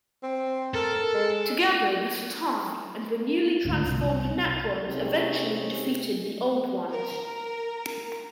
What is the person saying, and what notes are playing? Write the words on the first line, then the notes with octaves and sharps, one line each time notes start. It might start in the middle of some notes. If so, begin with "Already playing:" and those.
Together, the C'tan and the newly transformed Necrons eventually defeated the Old Ones.
C4
A4 A#4
G#3
D2 G#2
C2
C3 C4 C#4 D#4 G4 G#4
A#4